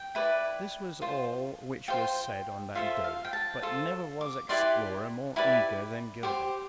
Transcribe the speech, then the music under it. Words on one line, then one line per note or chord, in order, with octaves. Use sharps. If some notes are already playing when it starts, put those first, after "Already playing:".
This was all which was said on that day, but never was explorer more eager than Gilbert.
Already playing: G5
E4 B4 D5
F4 C5
F4 C5 G5
F4 A4 C5 E5
F5
G5
A5
F4 A4 C5 A5
D6
E4 G4 B4 D5 C6
E4 G4 B4 D5 B5
G4 C5